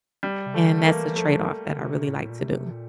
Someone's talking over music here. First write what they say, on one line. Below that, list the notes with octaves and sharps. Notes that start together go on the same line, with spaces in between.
and that's a trade off that I really like to do.
G3
C3
D3 A3
A3
E3 A#3
F3 A3
D3
C3
A2
A#2
C3
A#2